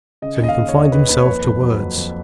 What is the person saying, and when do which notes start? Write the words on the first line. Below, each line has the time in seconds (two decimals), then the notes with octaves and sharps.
So he confined himself to words.
0.22 C#3 D#5
0.40 D#2 D#5
0.48 F5
0.57 C#3
0.68 C#5
0.75 D#2 D#5
0.92 D#2 B4
1.09 D#2 B4
1.18 C#5
1.25 F2 B4
1.44 F2
1.62 F#3
1.80 F2
1.97 F2